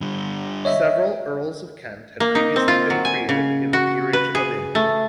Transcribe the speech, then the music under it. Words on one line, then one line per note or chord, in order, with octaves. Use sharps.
Several Earls of Kent had previously been created in the Peerage of England.
D3 G3
C#5 D#5 E5
A#3
D#4
C4
F4
F#3
G#5
C#3
F#4
B4
G#4
A3